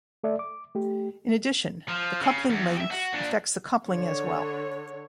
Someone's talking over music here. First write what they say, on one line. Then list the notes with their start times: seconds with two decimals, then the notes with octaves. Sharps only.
In addition, the coupling length affects the coupling as well.
0.24 A3 A4 D5 E5
0.39 D6
0.75 A3 G4
1.88 F3
2.22 C#3
2.50 E2
2.77 G4 E5
2.91 F#4
3.14 A#2 D4
3.88 D3 C#5